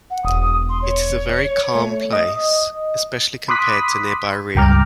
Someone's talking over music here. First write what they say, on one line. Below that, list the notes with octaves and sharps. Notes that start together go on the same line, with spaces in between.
It is a very calm place, especially compared to nearby Rio.
F#5
E1 D#6
C6
C#5
A3
D#5
B5 C6 D6 D#6 F#6 B6
C#2 G2 G5 A#5 D6 F6